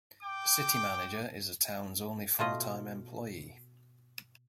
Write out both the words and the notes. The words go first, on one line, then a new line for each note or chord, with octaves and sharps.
The city manager is the town's only full-time employee.
G5 D6
B2 A3 F4 D#5